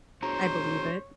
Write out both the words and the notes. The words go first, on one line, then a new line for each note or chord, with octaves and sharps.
I believe it.
D4 F#4 G#4 C5 C#5 A#5